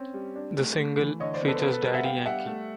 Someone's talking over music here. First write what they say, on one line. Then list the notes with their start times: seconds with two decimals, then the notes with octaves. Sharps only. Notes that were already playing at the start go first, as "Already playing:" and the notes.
The single, features Daddy Yankee.
Already playing: C4 C#4
0.14 G3
0.35 D4
0.57 A3
0.78 A3
0.99 E3
1.20 D3 C#5 D#5
1.34 C5 D5
1.41 B3
1.48 A4 B4
1.56 C5
1.61 B3 A4 B4
1.72 A4 B4
1.83 G3 A#4 C5
1.94 E5 F#5
2.04 B3 F5 G5
2.26 G3 E5 F#5
2.46 A3